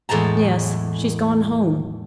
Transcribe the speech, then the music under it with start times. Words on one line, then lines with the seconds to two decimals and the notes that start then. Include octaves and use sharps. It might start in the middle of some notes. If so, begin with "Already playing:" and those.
"Yes, she's gone home."
0.09 E2 A2 G#3 A5 A#5